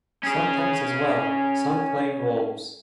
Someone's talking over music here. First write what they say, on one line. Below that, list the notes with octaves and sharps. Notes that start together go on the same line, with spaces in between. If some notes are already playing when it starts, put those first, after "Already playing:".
Sometimes as well, some plain wolves...
C#4 G#4